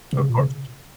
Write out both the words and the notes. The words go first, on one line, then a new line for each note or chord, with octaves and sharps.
Of course.
C3
C#3
A#2
C#3